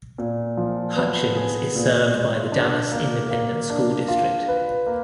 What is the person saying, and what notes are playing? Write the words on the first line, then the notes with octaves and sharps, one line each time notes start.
Hutchins is served by the Dallas Independent School District.
A#2
F3
B3
G#4
A#2
G#3
D4
A#3
A#3
D4
F4
B4
A#3